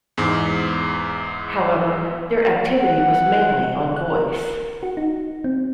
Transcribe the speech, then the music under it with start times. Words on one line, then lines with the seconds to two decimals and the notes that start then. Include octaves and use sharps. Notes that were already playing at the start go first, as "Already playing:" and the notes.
However, their activity was mainly on voice.
0.17 E2 G#2
2.75 F#5
3.96 F#6
4.10 A#4
4.83 F#4
4.97 D#4
5.44 C4